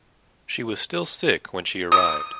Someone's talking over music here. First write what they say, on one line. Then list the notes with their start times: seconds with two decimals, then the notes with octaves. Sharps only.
She was still sick when she arrived.
1.92 D#6